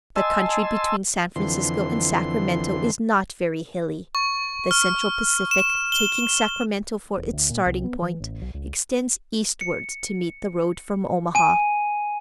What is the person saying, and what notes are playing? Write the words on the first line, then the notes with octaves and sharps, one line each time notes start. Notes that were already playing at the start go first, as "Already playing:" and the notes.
The country between San Francisco and Sacramento is not very hilly. The Central Pacific, taking Sacramento for its starting-point, extends eastward to meet the road from Omaha.
D#5 G#5 A5 C6 E6
F2 D3 E3 C6
C#6
F6
E7
G7
E1
D2
A#2
C2
B3
E3
A1
B1
C#2
C#7
G#5 D#7